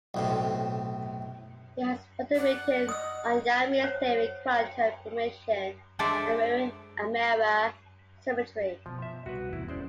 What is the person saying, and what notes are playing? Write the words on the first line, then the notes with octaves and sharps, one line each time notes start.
He has further written on Yang-Mills theory, quantum information, and mirror symmetry.
B1 A2 C3
D5 F#5
D#5 D#6 E6
C5 C#5 F#5
G5
G#3 D4 A4 C5 D5 E5
B2 F3
E5
C2 F#4 B4
E2 G#2 C#3 A3 A#3 E4
G#3 C#4 C5 D5